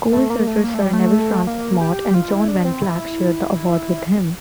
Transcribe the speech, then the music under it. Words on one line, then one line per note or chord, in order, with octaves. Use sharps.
Co-researchers Sir Nevill Francis Mott and John van Vleck shared the award with him.
A3
A#3
A3
A#3
A3
G3
A3
A#3
G4
F4
E4
D4
C4
E4